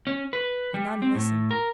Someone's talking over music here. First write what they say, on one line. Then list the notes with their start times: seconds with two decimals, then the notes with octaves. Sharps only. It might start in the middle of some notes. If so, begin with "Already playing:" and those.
The nun listened.
0.07 C#4
0.33 B4
0.74 G3
1.02 C4
1.15 A2
1.51 A#4